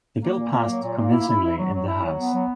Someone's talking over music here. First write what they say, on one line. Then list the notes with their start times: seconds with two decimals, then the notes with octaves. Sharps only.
The bill passed convincingly in the House.
0.22 A#3
0.37 A#2
0.53 A#3
0.67 F#3
0.82 A#2
0.98 A#3
1.12 E4
1.28 E4
1.43 E4
1.57 F#3
1.74 F#3
1.88 E4
2.03 F#3
2.18 B3
2.33 F#3